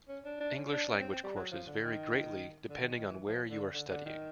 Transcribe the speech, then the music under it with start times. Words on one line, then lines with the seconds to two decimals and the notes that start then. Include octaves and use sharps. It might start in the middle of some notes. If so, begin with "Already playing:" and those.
English language courses vary greatly, depending on where you are studying.
0.08 C#4
0.25 D4
0.40 D4
0.56 C#4
0.72 D4
0.87 C#4
1.00 C4
1.12 C4
1.23 G3
1.36 F#3
1.51 F3
1.67 D3
1.83 D#3
2.69 D3
2.78 D#3
2.94 D#3
3.09 E3
3.26 F3
3.50 D3
3.73 D3
3.89 D3
4.06 D#3